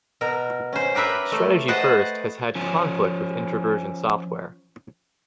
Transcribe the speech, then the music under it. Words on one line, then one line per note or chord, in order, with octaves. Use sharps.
Strategy First has had conflict with Introversion Software.
B2 A#4
C#4 C5
G4 A#4 B4 E5 G5
A3
B4 C5 D#5 F#5 G5 A5
F3 C#4